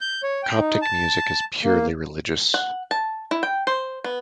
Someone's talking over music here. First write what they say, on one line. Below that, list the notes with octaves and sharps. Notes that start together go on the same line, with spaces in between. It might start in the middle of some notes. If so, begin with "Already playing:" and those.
Coptic music is purely religious.
G6
C#5
G5
D#4
A5
A#3
F#5
A5
E4
G5
C5
B3